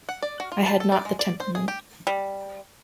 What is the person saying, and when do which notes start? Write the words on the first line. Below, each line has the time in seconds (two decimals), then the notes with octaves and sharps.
I had not the temperament.
0.09 F#5
0.22 D5
0.40 F#4
0.52 F4
0.66 A5
0.80 A4
0.92 D5
1.05 G#3
1.19 D5
1.40 C5
1.55 G#4
1.68 G4
2.07 G3